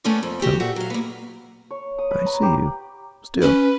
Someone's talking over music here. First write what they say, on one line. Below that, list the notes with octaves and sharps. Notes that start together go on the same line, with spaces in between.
No--I see you--still.
A3 B3 C#4 A4 A#4 D5
F2
F#4 G4 A4 G5
A#2 A3 F#4
F#3 F5
A#3 B3
C#5
D#6
B4
A#5
G4
C#4 B4